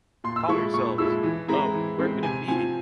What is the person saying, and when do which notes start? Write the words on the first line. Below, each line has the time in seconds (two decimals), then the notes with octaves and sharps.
Calm yourselves! Oh, where could it be?
0.24 A#2 C6
0.36 E6
0.48 F3 G#3 E4 C#6
0.74 A#2 C#6
0.98 F3 G#3 E4 E6
1.23 E3
1.48 G#3 C4 E4 A#5
1.74 E3
1.99 G#3 C4 E4
2.23 C3 G#5
2.48 F3 C4 G#5